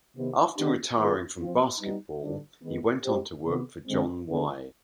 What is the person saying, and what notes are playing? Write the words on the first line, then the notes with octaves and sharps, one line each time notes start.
After retiring from basketball, he went on to work for John Y.
C3 D#3 B3
D#3 B3 D4 G4
D#3 B3 F4 G#4 B4
F3 C4 F4 C5
G3 B3 D#4
D3 G3 D4
D#3 G#3 B3
G#3 C4 G4 C5
C3 D#3 B3 F4
D3 G#3 C4
D3 G#3 B3